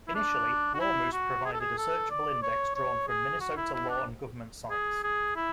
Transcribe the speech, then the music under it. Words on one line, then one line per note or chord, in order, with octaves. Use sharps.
Initially LawMoose provided a searchable index drawn from Minnesota law and government sites.
E4
D4
F#4
E4
F#4
G#4
A4
G#4
A4
D5
C#5
C#5
G#4
F#4
E4
E4
D4
G#4
G#4
E4